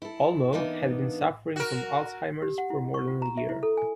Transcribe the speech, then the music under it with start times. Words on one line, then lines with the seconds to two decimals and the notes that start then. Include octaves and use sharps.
Olmo had been suffering from Alzheimer's for more than a year.
0.02 E4 A4
0.53 E3 A#3 B3 D4 D#4
1.56 F#4 A#4
2.42 G4
2.58 F#5
2.70 E4
2.94 C#6
3.07 F4
3.22 A#5
3.37 E5
3.49 E4
3.63 A4
3.77 G#5